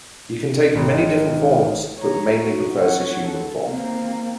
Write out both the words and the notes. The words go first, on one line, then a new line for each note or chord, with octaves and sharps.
He can take many different forms but mainly prefers his human form.
G#1
C#5 A#5
F#4
C#5 F#5
A4
A#3 C4